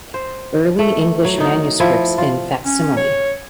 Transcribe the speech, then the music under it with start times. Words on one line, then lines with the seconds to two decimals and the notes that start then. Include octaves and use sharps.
Early English Manuscripts in Facsimile.
0.14 C5
0.79 A3
1.25 F#3
1.38 D#3 D#4
1.80 F3 E4
2.18 F4
2.66 C#4
2.97 C#5